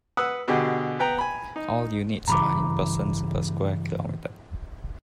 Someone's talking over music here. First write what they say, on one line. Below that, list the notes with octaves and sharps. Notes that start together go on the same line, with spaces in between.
All units are in persons per square kilometer.
B4 F#5 D#6 E6
B2 D3 G4 G#4 D#5
B3 B4 G5 A#5
G#5 B5
D#4
G2 C#3 E3 A#5 B5 D6